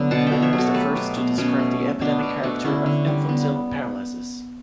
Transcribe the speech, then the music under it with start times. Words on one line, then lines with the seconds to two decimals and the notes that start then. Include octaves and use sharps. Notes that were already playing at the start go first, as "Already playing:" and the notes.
Medin was the first to describe the epidemic character of infantile paralysis.
Already playing: D3 F#3 B3
0.11 B2 F#5 A5
0.27 E5 G5
0.32 B2
0.42 C#5 E5
0.53 F#3
0.58 F#4 A4
0.74 A3 G4 B4
0.95 B2
1.17 B2
1.38 B2 C#4
1.59 A3
1.80 A3
2.01 B2 B3 D4
2.23 B2
2.43 A3 D4 F#4
2.64 D3 C#4 E4
2.86 D3
3.07 G3
3.29 B3